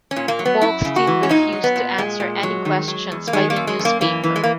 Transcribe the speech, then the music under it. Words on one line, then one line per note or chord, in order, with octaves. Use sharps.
Bolkestein refused to answer any questions by the newspaper.
C#4
A#2
A#3
F#3
B3
F#2 E4
C#3
F#4
E3
C#4
A#2 D#4
F#3
B3
A#2
A#2 G#3
A#2
F#3
D#3
F#3
E2
A#3
D#3 G#3
A#3
F#2
G#3
F#2
A#3
E3 A#3
E3
G#3
A#3